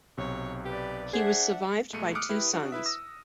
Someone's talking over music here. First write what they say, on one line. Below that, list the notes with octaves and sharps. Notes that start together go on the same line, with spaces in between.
He was survived by two sons.
B1 C3 C#5
G4 B4 D5
D4 G#4 C5 E5 F#5
B1 G#3 A3 C#7 D#7
D6 D#6 F6 F#6 C#7 D7
E4 G4 B4
D4 F#4
E4 B4 E5
D#6 E6 A#6